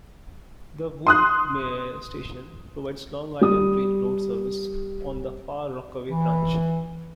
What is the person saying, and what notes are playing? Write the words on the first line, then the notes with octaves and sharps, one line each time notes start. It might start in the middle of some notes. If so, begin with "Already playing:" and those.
The Woodmere station provides Long Island Rail Road service on the Far Rockaway Branch.
C6 D#6 F#6
G3 D#6
E3